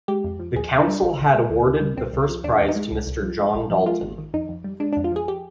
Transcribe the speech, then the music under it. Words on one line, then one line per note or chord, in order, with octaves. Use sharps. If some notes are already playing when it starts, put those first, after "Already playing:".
The Council had awarded the first prize to Mr. John Dalton.
G#3 G4
F2
F3
D#2 G#4
D#2
D4
G3
A#1
A#1
G#3
D2
D2
G3
C2 C4
C2
F3
D#2 D4
D#2
D#4
G#3
C2
C2
F3
G#3
A#1
F3
G#3 F4
G#1
D#3
F2 D#4
F2
G3
G#3 D4
D4
F2
F4
F3 G#4
G4